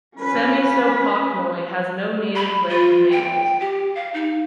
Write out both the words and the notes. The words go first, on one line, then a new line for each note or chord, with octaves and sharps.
Semisopochnoi has no native land mammals.
C#4 B4
B5
F4
G5
G4
F5
D#4